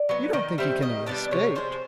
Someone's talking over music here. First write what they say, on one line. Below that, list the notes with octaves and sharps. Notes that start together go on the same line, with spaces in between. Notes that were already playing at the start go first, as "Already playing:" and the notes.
"You don't think he can have escaped?"
Already playing: D5
F#3 B3
D#3 D#5
G3 C4 E5
D#3 D#5
G3 B3 D4 D5
C3 C#5
F3 G#3 C5